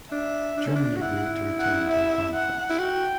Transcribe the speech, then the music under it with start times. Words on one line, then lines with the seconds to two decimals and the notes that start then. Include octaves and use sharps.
Germany agreed to return to the conference.
0.12 D4 E5
0.57 D4
0.66 C#4
0.76 D4
0.96 F#4
1.01 E4 F#5
1.60 F#5
1.90 E5
2.34 F#5
2.70 E4
2.78 F#4 G5